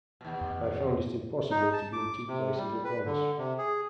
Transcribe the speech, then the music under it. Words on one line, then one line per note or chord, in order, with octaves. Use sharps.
I found it impossible to be in two places at once.
D#2 B2
F2
D#4
A5
D6
C3
G3
B4
D3
C3
G#4